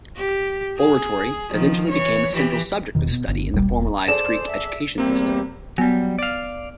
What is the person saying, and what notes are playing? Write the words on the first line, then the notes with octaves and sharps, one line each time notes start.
Oratory eventually became a central subject of study in the formalized Greek education system.
G4
G#4
D#3 F3
E3 C#5
E3 G4
E1 B1 B2 D#3
B2
G1
D1 A#1 C3 G3
E1
G#4 A4 C5 D5 E7
E5
E2 C3 G3 A#3 C4 G4
F#3 G3 B3
D5 F5